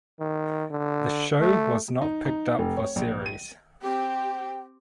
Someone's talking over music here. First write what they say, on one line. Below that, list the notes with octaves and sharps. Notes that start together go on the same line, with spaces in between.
The show was not picked up for series.
D#3
D3
A3
D#4
D#4
F1
C#5
A#1
D#7
C4 G4 G5